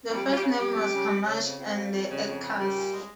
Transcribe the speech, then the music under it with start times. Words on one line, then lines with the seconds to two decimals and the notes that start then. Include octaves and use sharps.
The first name was "Kamash and the Eckers".
0.09 F2
0.15 G3 G4
0.25 G3
0.31 F4
0.37 G3 G4
0.42 C#3
0.59 F2 G3 G4
0.75 F2
0.93 C#3
1.09 F2
1.25 C#3
1.42 F2
1.58 F2
1.76 G3
1.92 F2
2.08 C#3
2.26 F2
2.42 C#3
2.59 A#2 G3 G4
2.75 A#2
2.93 G#3